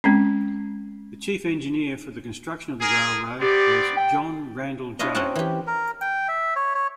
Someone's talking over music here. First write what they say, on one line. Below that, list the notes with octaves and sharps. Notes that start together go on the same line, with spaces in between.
The chief engineer for the construction of the railroad was John Randel J.
G#3 C4 C#4
G#4 A#4
B3 C4 G4 D5
G5
D4 E4 F4 C#5 D#5
C4 C#4 F#4 F#5 A5
E3 G4
A#4
G5
E5
C#5
C#5